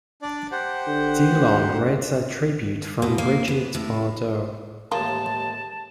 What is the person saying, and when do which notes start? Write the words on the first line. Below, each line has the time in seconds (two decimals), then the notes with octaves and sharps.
Delon read a tribute from Brigitte Bardot.
0.22 D4 D5
0.52 G4 C5 F#5
0.87 D3
1.27 D2
3.02 B2
3.18 A#3
3.48 B3
3.75 A2
4.92 A1 D#2 G#3 A#3 F4 A5